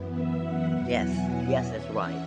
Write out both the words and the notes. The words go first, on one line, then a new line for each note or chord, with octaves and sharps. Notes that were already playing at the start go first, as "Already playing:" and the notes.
Yes, yes, that's right.
Already playing: F#2 E3 B3
E5
F#5
E2 B2 F#3 B3 E4 F#5
G#5
E2 E3 C#4 E5
F#5